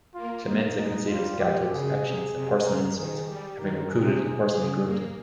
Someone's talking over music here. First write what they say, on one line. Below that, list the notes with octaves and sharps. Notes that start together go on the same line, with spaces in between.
Clemenza considers Gatto's actions a personal insult, having recruited and personally groomed him.
A#3 F4
A#3 D#4
G#3 D#4
G3 F4
F3 G4
C#3 G#4
C3
C3
C#3 A#4
D#3 G#4
G3 G4
D#3 A#4
C3 G#4
C#3 G#4
A#3